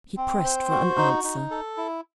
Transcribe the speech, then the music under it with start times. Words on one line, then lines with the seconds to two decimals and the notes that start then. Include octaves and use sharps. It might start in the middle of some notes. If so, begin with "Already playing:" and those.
He pressed for an answer.
0.17 C4
0.44 C5
0.71 F#4
0.98 D#4
1.24 D#4
1.51 A4
1.77 E4